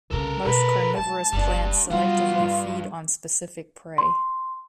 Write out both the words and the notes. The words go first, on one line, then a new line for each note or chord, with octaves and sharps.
Most carnivorous plants selectively feed on specific prey.
C2 C#3 A4 A#4
B2 B4
G#3 A5
F#1 F#2 G3 D4
B1 G3 F4 F#4
G2
C6